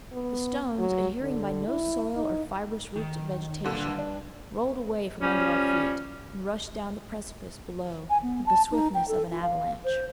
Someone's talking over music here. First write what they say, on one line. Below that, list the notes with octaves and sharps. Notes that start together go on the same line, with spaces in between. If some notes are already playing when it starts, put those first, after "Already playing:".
The stones, adhering by no soil or fibrous roots of vegetation, rolled away from under our feet, and rushed down the precipice below with the swiftness of an avalanche.
B3
F#3
D3
E4
D#4
D#3
G2 A#2 D3
D4
F3 G3 C#4
G#5
B3
A5
D#4
G5
A4
F4
F5
C5